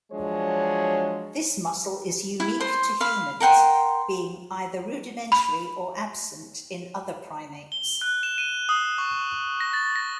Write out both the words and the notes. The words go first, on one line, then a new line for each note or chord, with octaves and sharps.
This muscle is unique to humans, being "either rudimentary or absent" in other primates.
F3 F#3 G#3 D4 C#5
E4
C5 C6
F5 B5
A#4 F#5 G5 C6
B5
G7
F#6
E7
D#7
D#6
C#6
A#6
A6
A#6